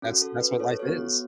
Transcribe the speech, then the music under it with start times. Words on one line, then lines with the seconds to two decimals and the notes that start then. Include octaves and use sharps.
that's that's what life is.
0.02 C#4 F#4 A4
0.22 A4
0.41 B4
0.60 A4 C#5
0.79 B3 F#4 A4 C#5